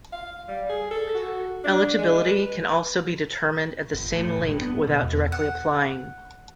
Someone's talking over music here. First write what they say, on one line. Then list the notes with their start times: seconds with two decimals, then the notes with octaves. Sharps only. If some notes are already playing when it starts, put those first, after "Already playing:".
Eligibility can also be determined at the same link without directly applying.
0.12 F5
0.48 G3
0.69 G#4
0.91 A4
1.15 F#4
1.64 D4
1.98 G#3
2.23 B4
3.93 G1
4.15 A2
4.36 F#1
4.49 G2
4.61 B3
4.87 B2
5.03 E2
5.32 F#5